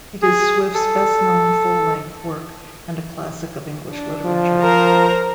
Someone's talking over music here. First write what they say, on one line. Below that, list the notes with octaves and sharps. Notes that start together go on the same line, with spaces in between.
It is Swift's best known full-length work, and a classic of English literature.
G#4
A4
D4
F3
A#4 C5 A#5